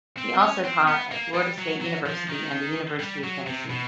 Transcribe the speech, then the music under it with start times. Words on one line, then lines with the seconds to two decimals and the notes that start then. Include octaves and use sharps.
He also taught at Florida State University and the University of Tennessee.
0.17 C4
0.41 C#4
0.64 C4
0.88 B3
1.11 A#3
1.34 G3
1.59 F#3
1.81 F#3
2.06 F3
2.29 D#3
2.99 G3
3.24 F#3
3.47 C3
3.70 B2